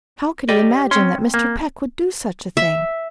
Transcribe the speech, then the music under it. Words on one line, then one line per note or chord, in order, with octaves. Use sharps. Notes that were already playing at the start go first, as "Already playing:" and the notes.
"How could he imagine that Mr. Peck would do such a thing?"
G4 D5 D#5
C4 C#4 C6
A#3
E5